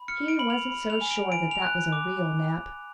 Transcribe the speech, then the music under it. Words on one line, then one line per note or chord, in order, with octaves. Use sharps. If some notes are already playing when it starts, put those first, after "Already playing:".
He wasn't so sure that that was a real nap.
Already playing: B5
F6 C#7
D7
B5 F#7
F7
B5
F7
G#5
D7
G#5 D7
F7
F#6
D6